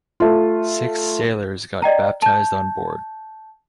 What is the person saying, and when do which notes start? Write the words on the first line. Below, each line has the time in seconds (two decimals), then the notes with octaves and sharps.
Six sailors got baptized on board.
0.20 A3 F4
1.82 D5 D#5 G5 A#5
2.22 A5 G6